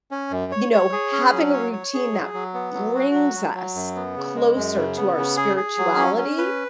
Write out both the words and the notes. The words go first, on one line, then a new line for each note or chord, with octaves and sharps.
you know, having a routine that brings us closer to our spirituality,
C#4
F#2
C#5
C#5
G#4
C#4
F#3
C#5
C#5
G#4
F#3
F#3
B3
F#3
F#4
F#3
F#3
F#3
F#2
B3
C#3
G#3
F#2
C#3
B3
C#3
G#4
G#4
F#3
C#4
C#4
B4